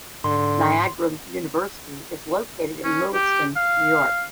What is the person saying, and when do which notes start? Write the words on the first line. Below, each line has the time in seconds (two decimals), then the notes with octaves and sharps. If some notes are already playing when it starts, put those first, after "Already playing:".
Niagara University is located in Lewiston, New York.
0.24 G#2 D3 C6
2.84 C#4
3.13 G4
3.56 F5